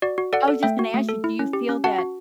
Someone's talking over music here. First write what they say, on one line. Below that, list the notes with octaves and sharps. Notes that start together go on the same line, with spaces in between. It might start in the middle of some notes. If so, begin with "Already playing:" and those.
I was just gonna ask you, do you feel that
F#4 D5
F#4
A4 D5 F#5
A4
A3 E5 G5
F#4
A3
A4
E4
C#4
G4
C#4
F#4 F#5 A5
F#4